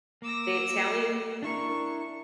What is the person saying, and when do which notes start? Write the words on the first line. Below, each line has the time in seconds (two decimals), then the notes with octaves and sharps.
The Italian
0.22 A#3 D6 E6 A#6
1.42 D4 E4 A#4 C#6